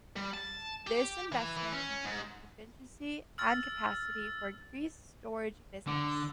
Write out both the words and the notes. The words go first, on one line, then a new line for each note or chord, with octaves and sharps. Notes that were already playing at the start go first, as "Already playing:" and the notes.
This investment improved efficiency and capacity for increased storage business.
G3
A5
G4
E3
E3
C#4
G#2
E6 F6 A6
D3